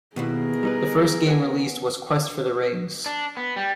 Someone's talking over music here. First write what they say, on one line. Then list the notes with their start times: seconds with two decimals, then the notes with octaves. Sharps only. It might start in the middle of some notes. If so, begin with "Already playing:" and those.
The first game released was Quest for the Rings!
0.16 D#2 B2 B3 E4 G#4 A#4
0.63 G3 D#4 B4
1.27 B4 F#5 G#5
3.06 D4
3.37 B3
3.56 G3